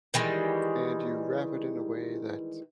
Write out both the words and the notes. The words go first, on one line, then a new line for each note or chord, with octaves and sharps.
and you wrap it in a way that's
D#3 E3 G3 G#3